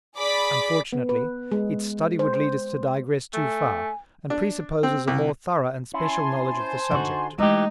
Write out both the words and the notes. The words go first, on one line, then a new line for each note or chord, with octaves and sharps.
Unfortunately its study would lead us to digress too far, and presupposes a more thorough and special knowledge of the subject.
G#4 D5 B5 D6 B6
B3
B4
G#3
C5
C5
A3 G#5
D4
C4
C2
C#4 E4 G#5 A5 C6
C5
D3 D#4 F#4
E3 G#3 A3 D#4 G4